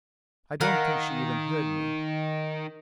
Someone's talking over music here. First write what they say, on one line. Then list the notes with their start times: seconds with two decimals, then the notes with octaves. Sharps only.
I don't think she even heard me.
0.61 D#3 A#4 F5 F#5